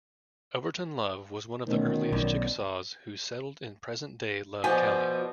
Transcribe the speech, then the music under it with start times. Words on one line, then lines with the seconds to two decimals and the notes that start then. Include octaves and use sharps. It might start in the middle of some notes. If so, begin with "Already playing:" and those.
Overton Love was one of the earliest Chickasaws who settled in present-day Love County.
1.67 D2 B2 D#3 C#4
2.13 B1 D5
4.64 F3 F#4 B4 D5 D#5 F#5 G#5